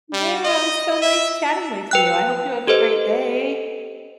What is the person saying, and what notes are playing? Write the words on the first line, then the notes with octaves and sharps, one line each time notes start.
Yeah. It was so nice chatting with you. I hope you have a great day.
G3
D#5
E5
B4 G5 F#6
G4 A4 B4 C5 D#5